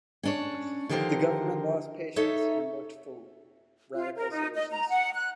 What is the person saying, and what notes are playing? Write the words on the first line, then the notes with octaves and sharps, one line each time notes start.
The government lost patience and looked for radical solutions.
C#4 D4 C#5
D3 D#3 F3 G4 A#4 C5
D#4 A4 C#5 E5
F4
A#4
D#4
D#5
A#5
F#5
F#6